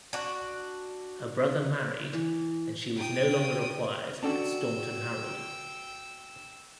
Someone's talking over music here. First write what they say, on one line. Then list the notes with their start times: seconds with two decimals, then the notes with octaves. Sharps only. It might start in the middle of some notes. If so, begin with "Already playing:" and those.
Her brother married and she was no longer required at Staunton Harold.
0.13 D4 F#4
2.13 E3
2.95 G5 D#6
4.23 C#4 D4 F#4 A4 D5 G5 A5 E6